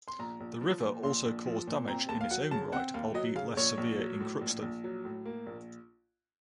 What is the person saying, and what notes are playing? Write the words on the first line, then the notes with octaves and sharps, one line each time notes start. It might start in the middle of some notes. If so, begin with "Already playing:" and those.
The river also caused damage in its own right, albeit less severe, in Crookston.
C6
A#1 A#5
A#1
F3
A#2
A#1 C6
A#1
F3
A#2
C4 A#5
D#2 A5
F5
F#3 F#5
C#3 A5
C4 F#5
D#2 F5
F#3 D#5
C#3 F5
A#1 C#5
A#1
F#3
A2
A#1
A#1
F#3
A2
A#3
A#1